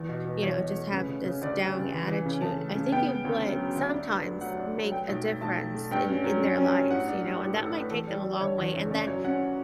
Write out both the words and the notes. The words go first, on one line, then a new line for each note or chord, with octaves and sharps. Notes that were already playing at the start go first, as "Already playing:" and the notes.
you know, just have this down attitude, I think it would- sometimes- make a difference in in their lives, you know, and that might take them a long way, and then
Already playing: E2
B2
B2
E2 C#5
B2
A3
C#3 B4
C#3
C#3
D2 D5
G3
C#3
E3
E3
C#3
C#3 A5
A3
C#3
B3 G5
B3
D2
F#3
F#3
D2
D4
G2
A3
F#3 F#5
D4
F#3
A3 G5
B1
A3
B1 A5
A3
A3
G2 G5
C#4
F#3
C#4
C#4
G2
A2 F#5
D4
G3
A2 G4
A4
A2
A4
A2 B4
E2 A4
G3
G3
D3 C#5
E2
F#1
C#4 D5
F#3 C#5
C#4 F#5